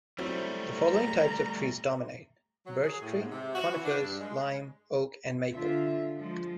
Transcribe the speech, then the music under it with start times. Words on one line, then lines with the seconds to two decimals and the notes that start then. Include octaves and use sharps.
The following types of trees dominate: birch tree, conifers, lime, oak, and maple.
0.18 F#3 G3 A3 C4 E4
0.76 A#5
2.66 F#3
2.83 G#4
3.01 A2
3.19 G#2
3.31 C3
3.54 F#4
3.72 E3
3.85 D4
4.02 G2
4.20 G#3
5.54 D3 F4 E5
6.18 F3 G#3